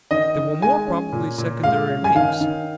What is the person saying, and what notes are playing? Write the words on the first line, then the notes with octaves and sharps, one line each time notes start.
They were more probably secondary rings.
D#3 D#5
D#3
G#3 G#5
C#4
A#2
A#2
G#3 F5
C#4
G#5
D#3 F5
D#3